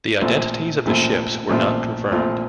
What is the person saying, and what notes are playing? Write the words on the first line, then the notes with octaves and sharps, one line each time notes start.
The identities of the ships were not confirmed.
A#1 A#2 A3 C4 F4
A#1 A#2 A3 C4 F4
A#1 A#2 A3 C4 F4
A#1 A#2 A3 C4 F4